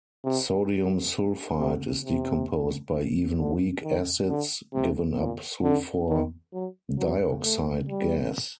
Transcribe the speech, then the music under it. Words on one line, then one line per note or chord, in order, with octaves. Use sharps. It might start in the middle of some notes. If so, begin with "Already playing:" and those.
Sodium sulfite is decomposed by even weak acids, giving up sulfur dioxide gas.
C3
C3
C3
D3
D#3
D3
C3
A#2
D3
D#3
F#3
F#3
A3
G3